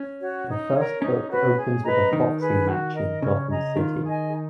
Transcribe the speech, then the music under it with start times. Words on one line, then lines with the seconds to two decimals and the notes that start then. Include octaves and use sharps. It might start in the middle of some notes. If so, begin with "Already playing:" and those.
The first book opens with a boxing match in Gotham City.
Already playing: C#4
0.20 F#4 C#5
0.48 D#4
0.75 A#4 C#5
1.02 C#4 D#4
1.30 F#4 B4
1.57 G#4
1.85 B4 D#5 A#5
2.12 D#3 D#4
2.39 G#4 B4
2.67 F#4
2.94 A#4 D#5
3.22 C#3 C#4
3.50 G#4 D#5 A#5
3.76 D#3 F4
4.04 G#4 D#5 G#5
4.32 D#4